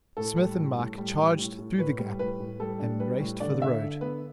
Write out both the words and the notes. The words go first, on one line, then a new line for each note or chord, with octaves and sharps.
Psmith and Mike charged through the gap, and raced for the road.
A2 A4
G3
A2
A2
G3
A2
A2
A2
A2 B4
G3
A2 B4
A2
G3 A4
D4
G3 B4
A2
D3 D5
D3 E5
D3
B3 B4